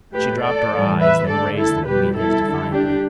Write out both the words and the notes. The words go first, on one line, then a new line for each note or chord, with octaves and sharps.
She dropped her eyes, then raised them to meet his defiantly.
A2 A3 G4 B4
A4 D5
A2 E3 G3
B4 E5
D3 A3 A4 D5
E4 A4
B2 G3 G4 B4
E4 A4
D3 G3
D4 G4